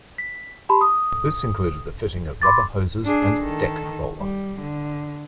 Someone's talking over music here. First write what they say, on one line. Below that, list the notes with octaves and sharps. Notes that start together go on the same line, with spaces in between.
This included the fitting of rubber hoses and deck roller.
B6
G4 A5 B5 C6
D#6
B5 C6 D6 A6
D4 G#4
D#3 A4
G3
D3